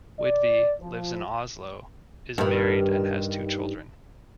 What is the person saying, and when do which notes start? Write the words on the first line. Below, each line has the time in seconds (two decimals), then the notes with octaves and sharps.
Widvey lives in Oslo, is married and has two children.
0.19 D5
0.81 F3
2.38 G2 D#3